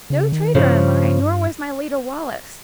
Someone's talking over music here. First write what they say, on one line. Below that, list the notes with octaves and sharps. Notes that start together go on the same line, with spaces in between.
No traitor am I, nor was my leader Wallace.
C#3
D#3
G2 C#3 F3